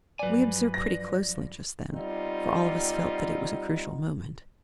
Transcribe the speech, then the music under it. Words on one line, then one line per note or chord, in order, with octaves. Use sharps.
We observed pretty closely just then, for all of us felt that it was a crucial moment.
G2 F3 F#3 B4 D5 G#5
A#6
G3 B3 C4 D#4 F4